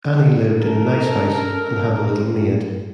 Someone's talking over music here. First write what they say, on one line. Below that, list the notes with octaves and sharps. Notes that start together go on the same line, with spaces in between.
Annie lived in a nice house, and had a little maid.
C#4 A4 A#4